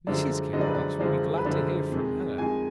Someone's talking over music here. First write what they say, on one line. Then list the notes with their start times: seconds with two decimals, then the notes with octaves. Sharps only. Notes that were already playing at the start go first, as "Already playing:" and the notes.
Mrs Kenwigs will be glad to hear from her.
0.07 F#2 D3 F3 G#3 D5
0.53 F#2 D3 F3 G#3 D#5
0.61 D5
0.67 B4
0.75 D5
1.00 F#2 D3 F3 G#3 D5
1.38 B4
1.45 F#2 D3 F3 G#3 D5
1.92 F2 D#3 G#3
2.38 F2 D#3 G#3 G#5